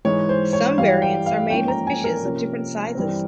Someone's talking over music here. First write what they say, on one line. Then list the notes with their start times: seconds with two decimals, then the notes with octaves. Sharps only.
Some variants are made with fishes of different sizes.
0.05 G#2 E3 G#3 C#5
0.29 C5
0.53 C#5
0.78 G2 E3 G3 F5
1.02 G5
1.26 F5
1.49 G#2 F3 A#3 C#4 G5
1.68 A#5
1.87 G#5
2.04 A#4
2.23 C3 F3 A#3 C#4
2.95 G2 E3 G3 C4